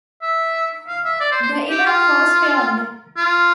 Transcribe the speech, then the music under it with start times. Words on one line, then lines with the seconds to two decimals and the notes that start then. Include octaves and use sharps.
The event was filmed.
0.22 E5
0.88 F5
1.04 E5
1.20 D5
1.31 C5
1.42 C5
1.70 G4
1.86 F4
3.17 F4